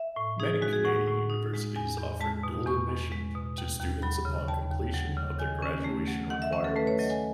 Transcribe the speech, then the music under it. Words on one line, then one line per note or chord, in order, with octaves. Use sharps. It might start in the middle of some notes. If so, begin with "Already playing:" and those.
Many Canadian universities offer dual admission to students upon completion of their graduation requirements.
Already playing: E5
A2
D#4 G#4
G#3 F#4
G#4
A2 F#5
A2
D#4
G#3
E2 G#5
E2
G#3 A5
B2
E2 C#6
E2
G#3
B2
D#2
D#2
F#3 B5
C#3
D#2 A5
D#2
F#3
C#3
D#3 G#5
C#4
A3
F#3
D#3 F#5
E5
C#4 E5
A4
A3 B4
C#5
F#3 D#5
G#5